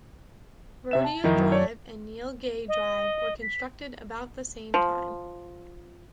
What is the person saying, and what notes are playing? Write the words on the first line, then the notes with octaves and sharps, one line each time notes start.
Rodeo Drive and Neal Gay Drive were constructed about the same time.
C3 E5 E7
A5
F2 D#3 D#4 E4
F#2
C#5 D5
D#5
B6
F3